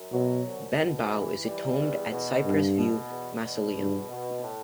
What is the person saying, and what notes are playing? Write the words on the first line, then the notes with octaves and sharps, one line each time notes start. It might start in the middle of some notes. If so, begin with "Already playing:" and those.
Benbough is entombed at Cypress View Mausoleum.
Already playing: F#2
B2 F#3
C2
B2
E3
G3
E2
B2
C2 G2
B2
E2
B2
E2 G2
B2
A2